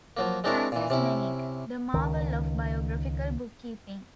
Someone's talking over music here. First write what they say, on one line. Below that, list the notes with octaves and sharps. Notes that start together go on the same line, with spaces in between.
Francis Nenik: The Marvel of Biographical Bookkeeping.
F3 F#3 A#3
G#3 C4 D4 E4 A#4 C#5
A#2 E3
C3 C#4 E4
C#2 D#3